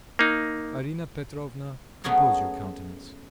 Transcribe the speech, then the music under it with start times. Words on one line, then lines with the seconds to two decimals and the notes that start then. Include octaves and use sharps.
Arina Petrovna, compose your countenance.
0.19 A#3 D#4
2.04 F#3 A3 B3 C#4 G#4 A#4